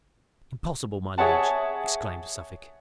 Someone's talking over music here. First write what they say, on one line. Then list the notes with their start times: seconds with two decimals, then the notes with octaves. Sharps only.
"Impossible, my liege?" exclaimed Suffolk.
1.18 G#4 C#5 E5 F#5 A5